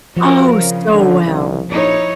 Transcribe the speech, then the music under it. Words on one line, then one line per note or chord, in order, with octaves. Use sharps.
Oh, so well.
F3 F#4 A#4
C#3
D3
C2
A#1 D#4 E4 C#5